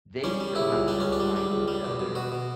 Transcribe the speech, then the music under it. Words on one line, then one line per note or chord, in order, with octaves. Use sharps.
they still have to find each other
G3 C#4
G3
C#3 E4
C#2
G3 D4
C#2 C#4
D4
G3
G3
C#2
G3
B2
B2
B2 F#4
B2